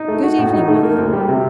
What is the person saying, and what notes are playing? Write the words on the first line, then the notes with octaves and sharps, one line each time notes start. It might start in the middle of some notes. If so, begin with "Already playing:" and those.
'Good evening, Mother.'
Already playing: D#4
A3
F#4
A2
D#4
A3
A#3
D2
G3
C3